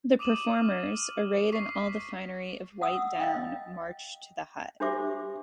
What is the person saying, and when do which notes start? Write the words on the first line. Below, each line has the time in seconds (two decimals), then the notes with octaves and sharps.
The performers, arrayed in all the finery of white down, march to the hut.
0.19 D6 D#6 D#7 E7 F#7
0.57 F6
1.52 C#6 B6 C7
2.82 F#5 D#6 E6
3.20 D#5 F5 G5
4.80 D4 F#4 G4 C5 E5 D6